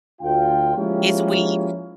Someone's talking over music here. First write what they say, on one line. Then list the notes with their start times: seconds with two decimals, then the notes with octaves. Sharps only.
It's weave.
0.21 D2 F4 G5
0.77 F3 G#3 A#3 C#4 E4 G4